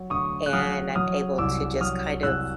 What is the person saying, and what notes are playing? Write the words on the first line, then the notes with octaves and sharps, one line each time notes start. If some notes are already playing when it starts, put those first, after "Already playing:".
and I'm able to just kind of
Already playing: F#3
D2 C#6 D#6
F#6
F#3 D#6 F6
F#3 D#6 F6
C2 D6 E6
F#3 D#6 F6
C2 E6 F#6